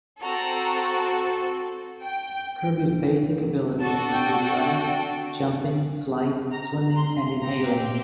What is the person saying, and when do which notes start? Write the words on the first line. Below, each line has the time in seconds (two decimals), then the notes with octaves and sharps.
Kirby's basic abilities include running, jumping, flight, swimming, and inhaling.
0.21 C4 F#4 A4 A#5
2.02 G5
3.81 D4 F#4 A4 A5
4.12 G5
4.42 G5
6.51 A#5
6.96 C6
7.41 C4 G4 A#5